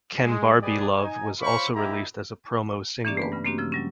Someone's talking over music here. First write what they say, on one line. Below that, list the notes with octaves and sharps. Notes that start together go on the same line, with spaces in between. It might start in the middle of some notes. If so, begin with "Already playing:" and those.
"Kenbarbielove" was also released as a promo single.
G#3
G4 G#4 B4 D5 D#5 G#5
D#4 G#5
F4 C5 C#5 F5 B5 C#6
A#3 D#4 E4 G4 A#5
E3 A#3 C#4 D4 G4 D5
A3 B3 B4
G2 C#3
A3 A#3 C4 D4 F#4 G4
C#3 F3 E6
F#3 G3 C#4